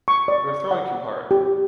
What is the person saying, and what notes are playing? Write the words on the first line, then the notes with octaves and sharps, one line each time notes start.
You are throwing too hard!
C#6
D5
F#5
G4